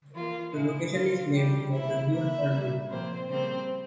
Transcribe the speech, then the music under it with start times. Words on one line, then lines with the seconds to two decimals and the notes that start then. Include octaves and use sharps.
The location is named for the Guilford Mill.
0.14 E3 A#3 F4
0.54 A#2 G#3 E4
0.93 C#3 E3 A#3 F4
1.33 C3 E3 G3 G#3 G4
1.72 C3 G3 A#3 E4 E5
2.11 E3 A#3 E4 E5
2.51 C#3 G3 A#3
2.89 A#2 F3 A#3 C4 C5
3.29 C#3 G3 A#3 C4 C5